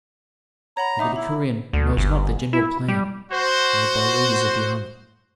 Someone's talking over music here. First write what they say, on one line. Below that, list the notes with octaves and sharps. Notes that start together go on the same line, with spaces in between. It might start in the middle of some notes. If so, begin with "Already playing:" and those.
But the decurion knows not the general plan made by leaders of the army.
C#5 F#5 A#5 B5
D#4 E5 A#5 D6
E4 B5
D2
G1
E4
G3
F#4 C5